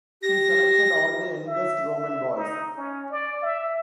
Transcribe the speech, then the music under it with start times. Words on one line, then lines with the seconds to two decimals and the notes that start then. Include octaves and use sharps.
She selected all the youngest Roman boys.
0.23 G4 A#6
1.47 E5
1.97 E5
2.36 D#4
2.77 C#4
3.11 D5
3.42 E5